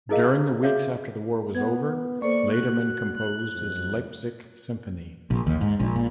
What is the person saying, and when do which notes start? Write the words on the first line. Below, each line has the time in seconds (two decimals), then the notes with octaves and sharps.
During the weeks after the war was over, Laderman composed his Leipzig Symphony.
0.09 D#4 E4 G#4 A#4 D#5 F5
0.63 F#4 G#4 C#5 E5 F5
1.55 B3 G#6
2.22 A#3 A4 C5 D5 C#6
2.52 F#4 F#6
3.16 F#6
3.53 F2
5.31 A#1
5.47 D#2
5.61 G#2
5.80 A#1
5.96 A#2